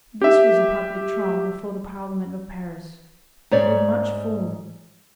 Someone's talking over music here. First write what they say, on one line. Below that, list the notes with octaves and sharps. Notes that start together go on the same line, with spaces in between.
This was a public trial before the Parliament of Paris, with much form.
G4 E5
G#2 C#5 D5